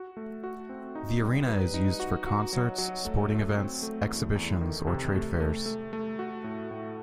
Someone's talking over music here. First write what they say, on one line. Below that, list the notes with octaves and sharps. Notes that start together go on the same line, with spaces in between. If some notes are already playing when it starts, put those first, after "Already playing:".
The arena is used for concerts, sporting events, exhibitions or trade fairs.
Already playing: F#4
A3
F#4
C4
D#4
G3
B4
D#4
F#4
F#4
F#3
F#3
A3
A3
C4
A3
E2
E2
D#3
C3
A3
A3
A3
A3
F#4
A2
A2